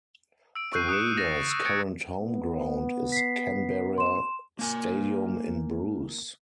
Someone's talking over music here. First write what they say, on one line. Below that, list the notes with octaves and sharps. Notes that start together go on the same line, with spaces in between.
The Raiders' current home ground is Canberra Stadium in Bruce.
E6 D7
C#6 E6 F#6 G6 C7 D#7
D#6 F#6 C#7 E7
E6 G6 A6 A#6 D#7 E7
E6
G#6 A6 C#7 D7
B3
B6 C7
C6 E7
A#3 G#5